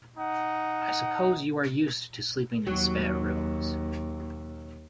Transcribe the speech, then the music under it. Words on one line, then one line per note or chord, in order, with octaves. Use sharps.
I suppose you are used to sleeping in spare rooms.
D#4 F#5
D#2 F#3